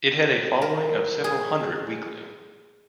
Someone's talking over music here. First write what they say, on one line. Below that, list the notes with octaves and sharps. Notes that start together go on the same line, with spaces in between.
It had a following of several Hundred weekly.
A#4
G#4